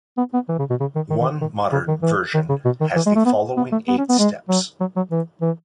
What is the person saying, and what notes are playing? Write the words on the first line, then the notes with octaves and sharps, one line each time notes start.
One modern version has the following eight steps.
B3
B3
E3
C#3
B2
C#3
D#3
D#3
D#3
D#3
C#3
D#3
E3
D#3
C#3
B2
D#3
E3
G#3
A3
B3
B3
A3
B3
C#4
B3
G#3
F#3
F#3
F#3
E3
E3